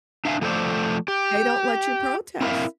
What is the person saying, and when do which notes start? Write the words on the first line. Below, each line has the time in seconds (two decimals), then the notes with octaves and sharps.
They don't let you protest.
0.25 D4 E5 F5 G#5
0.42 F3 A3 A4 C5 D5
1.08 G4
2.41 C4 E4 A#4 E5 F5